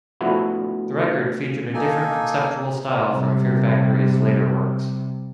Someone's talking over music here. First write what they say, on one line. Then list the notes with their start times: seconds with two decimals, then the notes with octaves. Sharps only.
The record featured a different conceptual style from Fear Factory's later works.
0.21 F3 A3 B3 D4 E4 F#4
1.74 A#3 D#4 A4 G#5
3.09 C3 G3